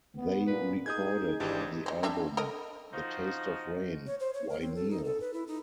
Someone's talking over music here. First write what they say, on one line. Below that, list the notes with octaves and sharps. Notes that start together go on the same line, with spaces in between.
They recorded the album The Taste of Rain... Why Kneel?
B3
A#2 B4
D#4 G#4 D#6 G6 G#6
G#1 E3 D4 G4
F#3 G#3
G3 D4 E5
A4 A#4 D#5
F3 D#4 F#4
C#5
C5
C#5
A#4
C4
A4
D#4
A4
B4
E4
D#4